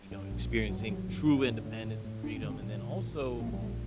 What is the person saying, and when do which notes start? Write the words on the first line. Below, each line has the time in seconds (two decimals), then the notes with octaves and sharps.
you know, experiencing true independence and freedom, and then also,
0.11 G2
0.31 A#1
0.50 A2
0.69 G2 F#3
0.80 G3
0.88 A1 F#3
1.08 G1
1.26 D3
1.46 A2
1.65 A2
1.84 A2
2.04 A2
2.24 G1 D4
2.36 C4
2.43 D3
2.50 C4
2.62 A#2 G3
2.82 A#2
3.01 A1
3.21 A1
3.40 A#1 A#3
3.47 A3
3.53 G3
3.58 A#1 A3